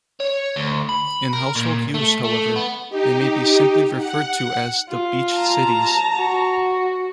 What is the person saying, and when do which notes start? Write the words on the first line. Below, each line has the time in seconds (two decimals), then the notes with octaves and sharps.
In household use, however, they may be simply referred to as the beach cities.
0.20 C#5
0.56 D2
0.89 B5
1.33 A#4
1.55 A#2
1.94 A3
2.24 A3
2.56 B3
2.90 D#4 G4
3.97 F#5
4.90 F4
5.36 A5 A#5
6.16 F#4